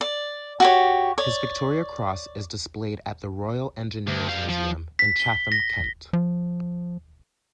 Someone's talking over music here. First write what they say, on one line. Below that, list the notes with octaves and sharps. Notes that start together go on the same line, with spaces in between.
His Victoria Cross is displayed at the Royal Engineers Museum in Chatham, Kent.
D5
F#4 G4 C#5
C#5 D5
D2
G3 F5
F3
B6
G7
A#6
F3